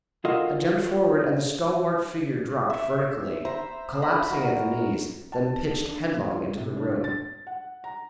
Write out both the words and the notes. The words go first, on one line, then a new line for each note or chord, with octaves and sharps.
I jumped forward, and the stalwart figure dropped vertically--collapsing at the knees, then pitched headlong into the room.
F4 F#4 A4 A#4 D#5 F5
E5
C5 E5 A#5
A#5 B5
F#4 A#4
A5
D4
F3
C3
D4
A6
F#5
A#5